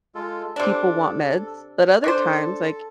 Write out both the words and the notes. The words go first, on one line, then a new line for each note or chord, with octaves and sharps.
people want meds, but other times, like,
G#3 F4 A4
C3 D4 A4
D4 A4 C5